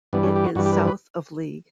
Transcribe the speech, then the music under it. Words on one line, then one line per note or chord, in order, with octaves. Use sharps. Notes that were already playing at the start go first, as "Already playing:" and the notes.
It is south of Lee.
G2 E3 G3 B3
C#4
G4
F#4
G2 E3 G3 F#4
G4
B4
A#4
B4